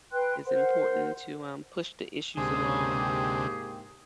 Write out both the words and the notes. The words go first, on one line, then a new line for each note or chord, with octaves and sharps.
is important to, um, push the issues along
B4 G5 C6 F#6
A#4 C5 F#5 C6
D2 G#2 C3 G#3 A#3 G4 G#4